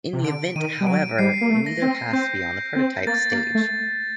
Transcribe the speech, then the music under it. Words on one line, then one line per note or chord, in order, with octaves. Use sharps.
In the event, however, neither passed beyond the prototype stage.
C3
D3 D7
D#3 D#7
G3
F#3 D7
G3 C7
A#3
A3
A#6
C4
C4 G6
C4
A#3 A6
A#3
A3